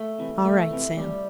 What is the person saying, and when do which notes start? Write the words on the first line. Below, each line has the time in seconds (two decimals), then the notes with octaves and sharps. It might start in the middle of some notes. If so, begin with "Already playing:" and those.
"All right, Sam."
Already playing: A3
0.18 C3 E3
0.44 C2 A3
0.71 C3 E3
0.96 F2 G3